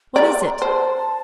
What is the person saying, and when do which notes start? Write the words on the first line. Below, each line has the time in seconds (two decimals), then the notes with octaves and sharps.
'What is it?
0.16 D5 A#5
0.29 C6
0.41 A#5
0.61 C5 A5